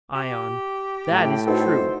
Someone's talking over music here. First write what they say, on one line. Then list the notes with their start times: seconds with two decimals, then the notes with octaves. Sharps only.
ION: That is true.
0.15 G4
1.11 A2 G5
1.47 D#4 F#4 A4 B4 C5